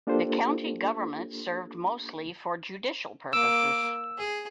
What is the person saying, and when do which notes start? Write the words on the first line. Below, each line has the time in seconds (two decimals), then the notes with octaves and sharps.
The county government served mostly for judicial purposes.
0.07 A#3 D4 F4 G4 A4 C5
3.33 A#3 D6 E6
4.17 G#4